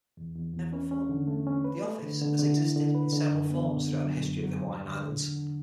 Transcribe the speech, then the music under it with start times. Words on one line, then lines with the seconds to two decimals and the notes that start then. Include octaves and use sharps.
The office has existed in several forms throughout the history of the Hawaiian Islands.
0.17 E2
0.36 E2
0.54 E2
0.73 C#4
0.91 C#4
1.09 D3
1.27 A3
1.47 C#4
1.64 B4
1.83 A3
2.02 D3
2.21 D3
2.39 D3
2.57 E4
2.76 D3
2.95 B4
3.13 D3
3.31 F#2
3.50 B3
3.69 D3
3.88 D3
4.05 F#3
4.24 F#2
4.44 F#3
4.61 E2
4.80 D3
4.98 D3
5.18 D3
5.36 D3